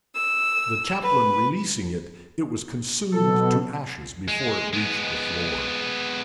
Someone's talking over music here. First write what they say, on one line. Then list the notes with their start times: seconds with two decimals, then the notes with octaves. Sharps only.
The chaplain releasing it, it was consumed to ashes before it reached the floor.
0.13 E6
1.02 B4
3.12 B2 F#3 A4
4.28 G#3
4.73 G#3 B3